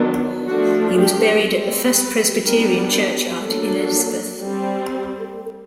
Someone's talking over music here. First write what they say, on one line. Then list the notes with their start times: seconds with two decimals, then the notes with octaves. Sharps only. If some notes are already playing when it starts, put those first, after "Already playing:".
He was buried at the First Presbyterian Churchyard in Elizabeth.
Already playing: D#3 F#3 B3 D4
0.46 F3 A3 D4 F#4
0.95 G4
1.45 G3 C4
1.94 B4
2.43 G3 B3 D4 A#4
3.42 F#3 A#3 D4 A4
4.41 G3 C4